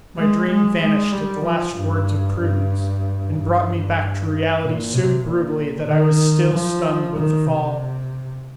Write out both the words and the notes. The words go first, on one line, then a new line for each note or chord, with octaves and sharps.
My dream vanished at the last words of Prudence, and brought me back to reality so brutally that I was still stunned with the fall.
G#3
G#3
G#3
G3
F3
G2
G2
G2
A#2
C3
A#2
D#3
F3
D#3
C3